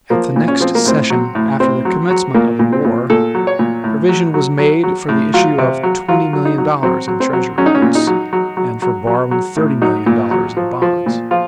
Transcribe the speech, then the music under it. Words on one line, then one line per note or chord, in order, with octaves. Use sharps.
At the next session, after the commencement of the war, provision was made for the issue of twenty million dollars in Treasury notes, and for borrowing thirty million dollars in bonds.
F3 A#3
A#2
C#4
F3 C4
A#3
A2 C4
F#3
A2
A2 C4
F#3
F#3
A#2 A#3
A#2
C4
A#2
A#2 A4
F#3
C#5
A#2
A2
F#3
F#3
F#3
F#3
A2
F#3 F4
C3
F#3
F#3 F4
F#3
D#4
F#3
F#3 C4
F#3
C4
F#3
F#3 C#4
D#4
C#4
A#2
D#4
F#3
F#3
F#3
F#3
F#3
F#3
A2
F#3 D#4
A#2
F#3
F3
F3
A#2
F3 F4